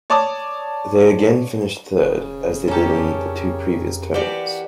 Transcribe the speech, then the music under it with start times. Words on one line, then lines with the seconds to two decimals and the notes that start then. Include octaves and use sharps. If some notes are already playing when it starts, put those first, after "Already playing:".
They again finished third, as they did in the two previous tournaments.
0.10 C#5 D5 A5 D6 D#6
2.02 E1 C#3
2.68 F2 A#3 C#4 G4 A4
4.14 E3 A#3 F#4 G4 D5